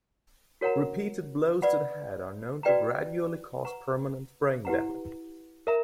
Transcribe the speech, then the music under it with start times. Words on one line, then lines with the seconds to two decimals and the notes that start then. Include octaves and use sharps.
Repeated blows to the head are known to gradually cause permanent brain damage.
0.61 F#4 A#4 C#5 F#5 A#5
1.62 B4 D5 F#5 B5
2.63 F#4 B4 D5 G5 A#5
3.65 B4 F#5 A#5 C#6
4.65 E4 G4 B4 F#5 A#5
5.67 A#4 E5 A#5